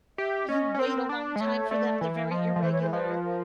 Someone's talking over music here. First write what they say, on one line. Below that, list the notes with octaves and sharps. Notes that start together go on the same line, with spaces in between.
you wait a long time for them, they're very irregular,
G4 E5
C#4 D#5
C#4
C4 A#4
D4
G#3
A3 C#5
A3 D5
E3
F3 D#5
F3
E3 C5
C#5
C5
A#4
F3 B4
A#4